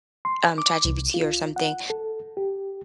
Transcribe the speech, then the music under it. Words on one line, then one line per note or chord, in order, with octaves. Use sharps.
um, ChatGPT or something,
C6
D6
C2
F4
F#5
A4
G4